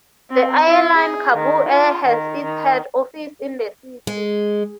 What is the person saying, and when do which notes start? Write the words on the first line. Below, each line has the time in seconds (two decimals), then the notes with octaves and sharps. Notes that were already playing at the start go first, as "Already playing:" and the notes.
The airline Kabo Air has its head office in the city.
0.30 C4
0.68 E4
0.97 G#4
1.35 D#3
1.69 F4
2.05 D#3
2.44 D#3
4.07 G#3